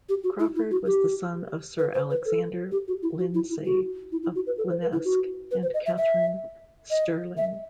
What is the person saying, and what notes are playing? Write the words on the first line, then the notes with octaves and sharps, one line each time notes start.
Crawford was the son of Sir Alexander Lindsay of Glenesk and Katherine Stirling.
G4
F#4
E4
E4
F#4
G4
B4
C5
B4
A4
G4
F#4
E4
F#4
E4
E4
F#4
E4
E4
F#4
B4
A4
C5
B4
E4
F#4
B4
C5
D#5
E5
E5
D#5
E5